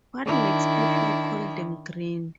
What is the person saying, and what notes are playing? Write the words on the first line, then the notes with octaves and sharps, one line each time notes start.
What makes people call them green?
D#3 D4 E4